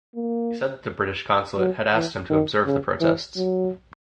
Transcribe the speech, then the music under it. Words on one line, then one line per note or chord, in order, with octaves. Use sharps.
He said that the British consulate had asked him to observe the protests.
A#3
F#3
E3
D#3
C#3
E3
F#3